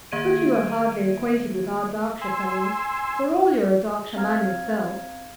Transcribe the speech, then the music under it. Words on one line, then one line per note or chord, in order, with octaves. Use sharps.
But you are hardly acquainted with our Darkshire fellows, for all you're a Darkshire man yourself.
D#3 A#3 E5 G#6 D7 D#7
G#5 C6 E6
C4 F5 A#5 F6 G#6